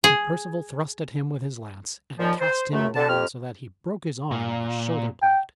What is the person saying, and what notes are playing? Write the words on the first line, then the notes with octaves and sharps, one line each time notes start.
And Perceval thrust at him with his lance, and cast him down so that he broke his arm and his shoulder-blade.
G#4
D#2 A#2 D#3 F3
C5
C#2 F#2 A3
D3 A5
F2 G4 F6
A#2
G5